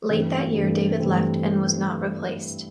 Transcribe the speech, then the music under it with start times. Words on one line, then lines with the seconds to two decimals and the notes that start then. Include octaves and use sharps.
Late that year David left and was not replaced.
0.09 G2 E3 A3 C4
0.54 G2 E3 A3 C4
1.00 G2 E3 A3 C4